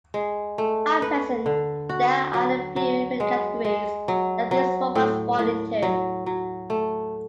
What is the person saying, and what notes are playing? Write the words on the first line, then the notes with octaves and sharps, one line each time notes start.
At present there are a few main categories that these robots fall into.
G#3
A3
B4
D3
F#4
F#3
F#3
G#3
G#3
F#3
F#3
A2
A2
F#3
F#3
A3